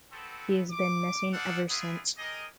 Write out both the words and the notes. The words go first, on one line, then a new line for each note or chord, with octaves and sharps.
He has been missing ever since.
B3 C4 F#4 A4
D6
G#4 A4 C5 D5 F5 F#5
A#3 B3 E4 F4 G#4
D#4 G4 G#4 A#4 D#5